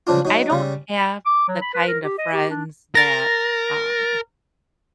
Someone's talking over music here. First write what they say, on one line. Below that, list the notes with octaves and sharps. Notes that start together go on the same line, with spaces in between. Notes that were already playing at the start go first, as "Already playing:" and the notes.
and I don't have the kind of friends that, um,
C#3 F3 D4 F4
F#3 D#4
C#3 G3
D6
F#3
B5
B4
A#4
G4
D#5
G4
D4
A#4 A6 A#6